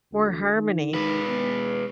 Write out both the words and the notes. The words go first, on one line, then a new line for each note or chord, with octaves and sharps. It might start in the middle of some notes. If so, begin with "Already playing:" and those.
more harmony.
D2
D#3
G#3 B4
B3